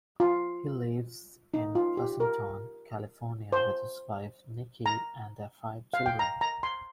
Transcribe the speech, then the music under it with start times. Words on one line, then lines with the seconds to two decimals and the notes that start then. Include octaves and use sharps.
He lives in Pleasanton, California with his wife Nickie and their five children.
0.20 F4
1.54 D#4
1.75 F4
1.97 G4
2.20 A#4
3.52 C5
4.86 A#5
5.94 F5
6.06 G5
6.19 A#5
6.41 A#5
6.63 C6